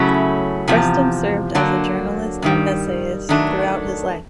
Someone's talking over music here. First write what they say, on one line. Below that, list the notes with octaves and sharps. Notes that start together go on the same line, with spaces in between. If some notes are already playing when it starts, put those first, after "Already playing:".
Preston served as a journalist and essayist throughout his life.
Already playing: C#3 F#3 A3 C#4 E4
E2 C3 F3
D3 F#3 A#3 D4
G2 D#3 G3
D#3 F#3 A3 D4